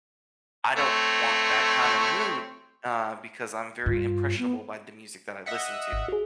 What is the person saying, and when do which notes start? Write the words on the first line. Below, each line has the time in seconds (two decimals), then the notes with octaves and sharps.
I don't want that kind of mood, uh, because I'm very impressionable by the music that I listen to,
0.77 A3 C4 C#5
3.86 G2 F4
4.38 B3
5.46 D#5 E5 F#5
5.92 G#1
6.08 F#4 G#4